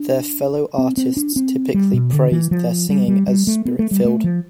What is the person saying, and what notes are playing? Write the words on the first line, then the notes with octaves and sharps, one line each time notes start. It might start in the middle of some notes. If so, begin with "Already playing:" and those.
Their fellow artists typically praised their singing as spirit-filled.
Already playing: D4
C4
C4
D4
C4
G3
B2
D3
E3
F3
G3
G3
G3
A3
B3
A3
G3
A3
F3